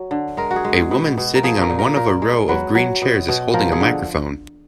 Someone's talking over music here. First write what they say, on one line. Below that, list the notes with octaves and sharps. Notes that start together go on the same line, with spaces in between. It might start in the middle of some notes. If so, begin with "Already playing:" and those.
A woman sitting on one of a row of green chairs is holding a microphone.
Already playing: F#3
D3
G#3 A#4
F#4
G#4
G#3
G#4
B2
B2
A#4
F3 G#4
A#4
A#2
A#4
A#2 A#4
G#3
F#3 B4
F#3
B2
B2
F3 A#4
G#4
D3